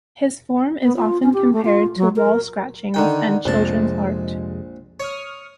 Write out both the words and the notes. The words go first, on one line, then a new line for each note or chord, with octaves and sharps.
His form is often compared to wall scratchings and children's art.
B3
F4
C#4
G4
A3
F4
F#3
A#4
D3 D#3 G5
A#1 F2 C3 G#3 A5
C#5 C#6 D#6 F6